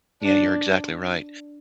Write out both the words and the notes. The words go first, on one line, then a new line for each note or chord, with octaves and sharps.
Yeah, you're exactly right.
D4